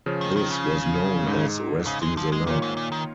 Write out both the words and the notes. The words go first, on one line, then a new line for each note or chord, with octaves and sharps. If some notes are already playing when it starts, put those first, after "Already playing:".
This was known as "resting the lung".
C#3 F3 C#4
D#3
D#3
C#3
G#2 G#3 D#4
C#3
G#3
F3
G#3
A#2 D#3 A#3 F4 C#5
G#2
A#2
D#3